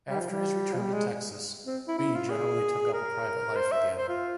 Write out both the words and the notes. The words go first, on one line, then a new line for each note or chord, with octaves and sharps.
After his return to Texas, Bee generally took up a private life again.
G3
F3
G3
F3
G#3
G3
G#3
C4
E4
E4
F4
G#4
A#4
C5
E5
C5
F4